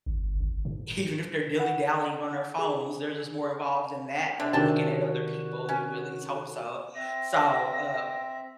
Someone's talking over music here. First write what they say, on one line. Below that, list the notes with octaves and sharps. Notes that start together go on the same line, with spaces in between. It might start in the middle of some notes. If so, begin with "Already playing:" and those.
even if they're dilly dallying on their phones, they're just more involved in that than looking at other people, you at least hope so. So, uh,
G1
G1
G#2
F#5
G#4
D3 E5
C3 D#3 D4 F#4 G5 A5
F#4
C#4
C4 E5 A#6